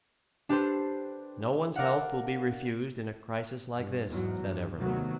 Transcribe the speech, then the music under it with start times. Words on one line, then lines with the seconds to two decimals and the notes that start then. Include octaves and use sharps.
"No one's help will be refused in a crisis like this," said Everley.
0.49 D4 G4 A4 B4 C5
1.76 A#4 D5 F5 F#5
3.75 G2
4.09 E2 G#2 F#3
4.41 G2
4.78 C3 D#3 F#3 A3 B3